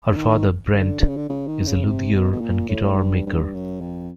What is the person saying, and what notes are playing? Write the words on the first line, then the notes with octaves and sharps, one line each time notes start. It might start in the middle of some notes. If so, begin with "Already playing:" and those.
Her father, Brent, is a luthier and guitar maker.
D3
D#3
D3
D3
C#3
D3
C#3
D#3
C#3
C3
B2
B2
A#2
A2
G#2
G2
G2
F#2
F2